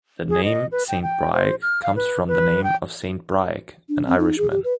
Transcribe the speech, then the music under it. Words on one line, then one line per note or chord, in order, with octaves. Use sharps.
The name Saint Briac comes from the name of Saint Briac, an Irishman.
G#4
D#5
B4
G5
G5
C5
F6
F5
B4
B4
G5
D4
C4
D#4
G#4
G4
B4